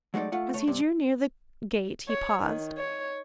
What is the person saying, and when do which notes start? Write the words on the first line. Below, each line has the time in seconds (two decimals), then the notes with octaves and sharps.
As he drew near the gate he paused.
0.14 F#3 G#3 A3 D#4 D5
0.32 A3 F4 F#5
0.54 A3 C#5
0.67 G2 C3
2.09 C#5
2.43 D#3
2.78 C#5